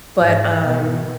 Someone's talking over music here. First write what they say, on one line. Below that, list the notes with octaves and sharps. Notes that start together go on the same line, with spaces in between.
But, um
G#2
B2